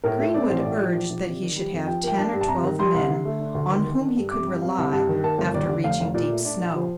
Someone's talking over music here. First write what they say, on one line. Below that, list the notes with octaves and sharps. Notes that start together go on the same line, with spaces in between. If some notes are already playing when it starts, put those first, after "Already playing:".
Greenwood urged that he should have ten or twelve men on whom he could rely after reaching deep snow.
A2 A#4
A3
C4 D5
A1 C5
D5
A2
F3
A#1
A#1
C3
D#3
G3
F2
F3 G5
A#3 G5
D4 A5
G2
A5
C3 A#5
D#3
G3 C6
C2
D3
A3
D4
D2
D#3
A#3
D4
G2
C3 D6
G3
C4 F5
C2
G2 A5
D#3
A#3 A5
G1
D#2 D5
D3
F1 F5
F1
A#2 D5
A3
D4 D5
A#1
F3 C5